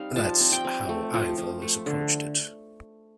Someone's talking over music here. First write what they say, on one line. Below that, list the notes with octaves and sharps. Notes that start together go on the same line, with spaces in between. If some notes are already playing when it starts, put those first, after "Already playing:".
That's how I've always approached it.
Already playing: G3 C4 D#4 F5
F3 A5
C4
G5
C4
A3
F3
F3
A3
D3